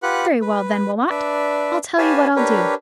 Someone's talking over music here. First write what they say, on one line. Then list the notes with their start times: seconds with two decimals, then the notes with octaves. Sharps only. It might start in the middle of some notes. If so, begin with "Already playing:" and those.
Very well, then, Wilmot, I'll tell you what I'll do.
0.03 F4 G4 B4 F#5 F#6
0.42 B4
1.10 D4 B4 D5 E5
1.98 G4 B4 C#5 F5 G#5 A5
2.36 D4 G4 A#4 B4 C#5